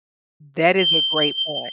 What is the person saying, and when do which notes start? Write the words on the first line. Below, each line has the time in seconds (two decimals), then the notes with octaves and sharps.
That is a great point.
0.78 G7